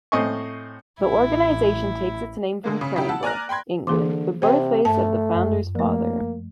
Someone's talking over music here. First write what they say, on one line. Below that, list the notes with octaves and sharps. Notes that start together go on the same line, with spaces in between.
The organization takes its name from Cranbrook, England, the birthplace of the founder's father.
A2 C4 D#5 G#5 C#6
A1 E4
D3 G#3 A#3
C#3
C#3 F#3 E4 G4
F#5 A5 E6
D5 G#5 A#5 F6 F#6 A#6
G5 B5 C6 G#6
D3 E3 A#3 G#4 C6 D6
C3 C5 G5
G2 A3 A5
F#2
F3 A3 A#3